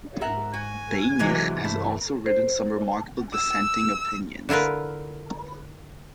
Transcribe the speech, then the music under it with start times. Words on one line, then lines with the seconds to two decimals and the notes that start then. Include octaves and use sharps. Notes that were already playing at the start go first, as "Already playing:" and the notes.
Beinisch has also written some remarkable dissenting opinions.
0.21 G#2 A#4 E5 F#5
0.54 F#4 G#5
1.19 C3 E3 F#3 G#3
1.64 G2 A3 E4
2.26 C5
3.33 E6
4.49 D3 E4 F4 A#4 B4